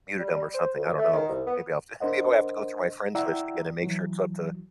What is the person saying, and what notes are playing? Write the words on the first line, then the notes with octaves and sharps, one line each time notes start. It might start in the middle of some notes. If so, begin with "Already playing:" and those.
muted him or something, I don't know. Maybe I'll have to maybe I'll have to go through my friends list again and make sure it's up to
G3
G3
C5
D2
A3
D#3
C2
B3
D4 A#4 C5 D#5 F#5
E4 D5 F#5 G5 A#5 E6
E3 F#3